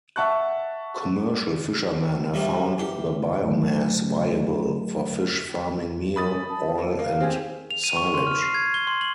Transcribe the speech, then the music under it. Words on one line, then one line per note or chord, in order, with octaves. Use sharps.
Commercial fisherman have found the biomass viable for fish farming meal, oil and silage.
E5 F#5 A5 C#6 F#6
D2 C3 G3 A3 A#3
E2 G4
G#2 D3 F#3 A3
C#4 B5 D#6 A6
A5
A#3
A#3 F5
C4 G4 G#4
F7
D#7
C#6
C6
F6
C7
G#6
G7
C6
F#7